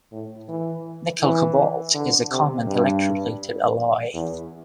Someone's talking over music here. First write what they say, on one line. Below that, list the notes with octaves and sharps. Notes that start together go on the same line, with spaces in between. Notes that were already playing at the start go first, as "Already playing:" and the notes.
Nickel-Cobalt is a common electroplated alloy.
A2
E3
E3
D3
C3
G2
E2